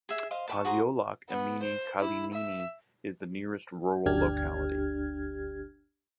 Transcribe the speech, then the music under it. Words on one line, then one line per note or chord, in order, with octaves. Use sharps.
Posyolok imeni Kalinina is the nearest rural locality.
G#4 E5
C5 D#5 F5 C6
A5 B5 C#6
F#4 G#4 C5 A#5
B3
C5
E4
E5
G1 D2 D4 G4 F6 G#6